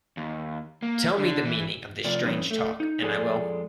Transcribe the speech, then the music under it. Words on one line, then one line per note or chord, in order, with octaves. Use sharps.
Tell me the meaning of this strange talk, and I will.
D#2
A#3
D3
E3
A2 C3 F3 D5
E3 G3 C4 C#4 D#4
A3
D#4
F2 G#3 G#4 A4 D5 G#5